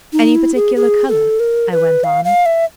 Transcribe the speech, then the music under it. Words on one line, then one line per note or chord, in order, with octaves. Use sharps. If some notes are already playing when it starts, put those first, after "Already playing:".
"Any particular color?" I went on.
D#4
E4
G#4
G#4
A4
A#4
B4
F5
F5
E5